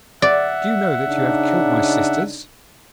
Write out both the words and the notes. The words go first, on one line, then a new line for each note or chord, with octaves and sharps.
'Do you know that you have killed my sisters?'
D5 E5 F#5
C#3 D4 D#4